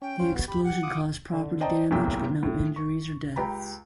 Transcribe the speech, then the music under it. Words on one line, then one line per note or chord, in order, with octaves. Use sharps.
The explosion caused property damage but no injuries or deaths.
C#4 G5
C#4 F4 C5
B3 F#4
G4 B5
F#5
F4 D6 D#6
D3
C5 D5 D#5 G5 A5 A#5
F#1 B1 A2 C3 G5
A2
C#6
C#2 G4 A#5 B5